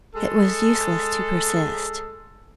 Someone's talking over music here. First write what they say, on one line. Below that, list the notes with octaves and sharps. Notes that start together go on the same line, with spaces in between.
It was useless to persist.
G#3 G#4 A4